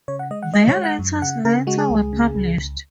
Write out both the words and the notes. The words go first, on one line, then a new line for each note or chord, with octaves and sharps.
Their letters later were published.
C#3 C#5
F#5
G#3 D#5
F#5
G#3 D#5
C#5
G#3
F#5
F#2
C#3 F#5
C#3 A#4
G#3 F#4
G#4
C#2
C#3
C#2
C#2